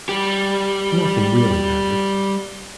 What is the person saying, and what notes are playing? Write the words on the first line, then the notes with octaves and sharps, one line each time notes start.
Nothing really mattered.
G3 G4